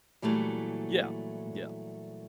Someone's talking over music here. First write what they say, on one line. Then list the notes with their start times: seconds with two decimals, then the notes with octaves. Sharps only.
Yeah, yeah.
0.22 A#2 E3 F#3 G3 A3 A#3